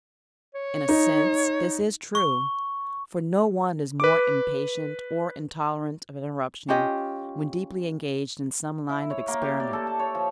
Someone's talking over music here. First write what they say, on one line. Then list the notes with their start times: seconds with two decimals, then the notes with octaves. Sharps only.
In a sense this is true, for no one is more impatient or intolerant of interruption when deeply engaged in some line of experiment.
0.55 C#5
0.88 D#4
2.15 C#6
4.00 B4 D6
6.68 C#4 F4 G4 D#5
8.89 E4
9.10 C#5
9.28 A#3
9.42 G4
9.60 D5
9.73 A4
9.87 A5
9.99 C#5
10.15 F3